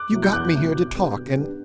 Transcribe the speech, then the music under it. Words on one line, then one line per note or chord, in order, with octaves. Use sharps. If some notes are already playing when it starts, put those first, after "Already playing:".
You got me here to talk, and . . .
Already playing: D6 F#6
B2 F#3 A3 E4
G6
E2 D6 F#6
B2 F#3 A3 E4
B2
G3 B3 D4
B2
G3 B3 D4